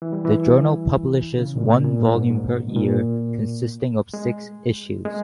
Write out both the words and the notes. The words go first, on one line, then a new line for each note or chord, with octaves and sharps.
The journal publishes one volume per year, consisting of six issues.
E3
G3
E3
C#3
A#2
B2
A#2
G#2
G#2
G#2
B2
A#2
G#3
G#3